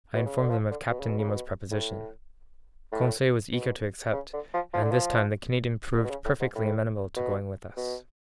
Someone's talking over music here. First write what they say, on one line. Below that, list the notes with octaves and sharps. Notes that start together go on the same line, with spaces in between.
I informed them of Captain Nemo's proposition. Conseil was eager to accept, and this time the Canadian proved perfectly amenable to going with us.
B2
C#3
D3
F3
D3
B2
C#3
B2
C#3
B2
A2
A2
B2
C#3
D3
F3
F3
D3
F3
D3
B2
C#3
A2
G#2
A2
B2
B2